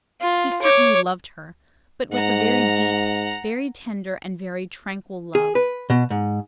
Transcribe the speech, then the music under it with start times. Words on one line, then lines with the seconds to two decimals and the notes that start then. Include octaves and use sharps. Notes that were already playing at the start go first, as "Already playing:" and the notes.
He certainly loved her, but with a very deep, very tender and very tranquil love.
0.21 F4
0.62 C#5 D6
2.12 G#2 F#5 A#5
5.35 G#4
5.55 B4
5.90 B2
6.10 G#2